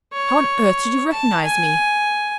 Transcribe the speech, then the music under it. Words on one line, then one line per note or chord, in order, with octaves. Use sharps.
How on earth did you recognise me?'
C#5
A5
G#5